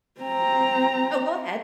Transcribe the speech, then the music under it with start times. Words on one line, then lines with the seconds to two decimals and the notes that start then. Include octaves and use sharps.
Oh, go ahead.
0.20 C4 A#5